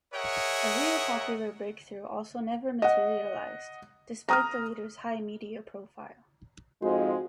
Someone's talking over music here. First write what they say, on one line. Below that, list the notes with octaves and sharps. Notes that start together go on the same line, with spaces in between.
A real popular breakthrough also never materialised, despite the leader's high media profile.
G#4 A#4 C#5 D#5 E5 F#5
D#5 F#5
A#5 D#6 F6
F2 G#2 G#3 F#4